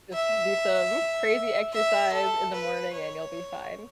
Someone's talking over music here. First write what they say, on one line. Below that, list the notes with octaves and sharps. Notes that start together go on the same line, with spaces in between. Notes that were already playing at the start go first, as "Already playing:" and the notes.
Just do some crazy exercise in the morning, and you'll be fine.
E5
E5
A4
B4
C#5